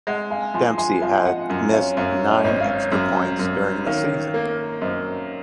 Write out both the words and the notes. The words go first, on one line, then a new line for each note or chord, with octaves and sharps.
Dempsey had missed nine extra points during the season.
G#3 D#5 F#5
F5 G#5
F3 G#5 C6
G#5 C6
F3 F5 G#5
D#5 F#5
F#2
C#5 F5
F#2 C#5 F5
D#5
C#5
G#1 C5 D#5
C#5 F5
F#2
F#2
D#3 C#5 F5
A#3
F#2 C5 D#5